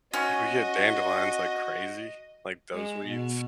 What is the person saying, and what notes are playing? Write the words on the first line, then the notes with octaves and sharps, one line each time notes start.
like, we get dandelions, like, crazy, like, those weeds,
C#4 F#4 D#5
G#3
B2